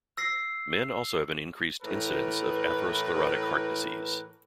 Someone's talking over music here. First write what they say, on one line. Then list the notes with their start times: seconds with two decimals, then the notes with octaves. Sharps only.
Men also have an increased incidence of atherosclerotic heart disease.
0.17 E6 A#6 C7
1.82 A2 E3 A#4 B4